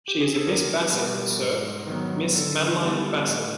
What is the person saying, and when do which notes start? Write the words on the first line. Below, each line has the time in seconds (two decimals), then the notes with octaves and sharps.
She is a Miss Bassett, sir; Miss Madeline Bassett.
0.08 G4
0.21 G#4
0.34 A4
0.47 E2 A#4
0.93 B2 G3 B3
1.40 G#2
1.87 D#3 F#3 B3
2.34 D3 A4
2.81 G3 B3
3.27 A2